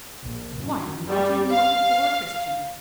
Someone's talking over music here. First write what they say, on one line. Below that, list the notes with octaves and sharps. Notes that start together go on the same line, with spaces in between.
Why, I'm not even what you'd call a Christian.
A#1
F#2
G3
F5